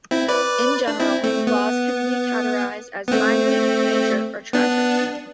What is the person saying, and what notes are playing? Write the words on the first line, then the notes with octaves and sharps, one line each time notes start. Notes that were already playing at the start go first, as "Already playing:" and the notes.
In general, flaws can be categorized as "minor", "major", or "tragic".
C4 E4
B4 D5
D4
C4 E4
A3 C4
B3
B3
A3 C4
B3 D4